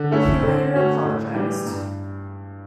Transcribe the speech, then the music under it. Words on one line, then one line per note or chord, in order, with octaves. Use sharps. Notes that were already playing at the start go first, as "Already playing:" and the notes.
He later apologized.
Already playing: D3
A3 C#4 E4
D3
A3 C#4 F#4
A2
E3 G3
G2